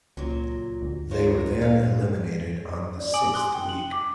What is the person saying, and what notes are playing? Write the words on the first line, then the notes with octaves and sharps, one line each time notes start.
They were then eliminated on the sixth week.
C#2 A#2 F#3
D2
F4 A#4 C#5
A#2 F5
D5
G#5 D6 D#6 D7 F#7
G4 G#5 C6 D#6 F#6 G7
G5
F#7
D6